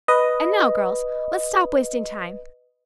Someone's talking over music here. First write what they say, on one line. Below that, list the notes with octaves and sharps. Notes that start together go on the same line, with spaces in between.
And now, girls, let's stop wasting time.
B4 D#5